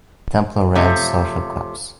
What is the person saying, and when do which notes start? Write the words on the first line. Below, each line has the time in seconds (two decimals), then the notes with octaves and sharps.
Templer ran social clubs.
0.75 C3 F3 A3 C#4